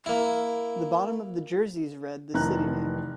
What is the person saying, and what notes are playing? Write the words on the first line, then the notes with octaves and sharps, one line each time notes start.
The bottom of the jerseys read the city name.
A#3 E4
F1 D#3 E3 A#5 F#6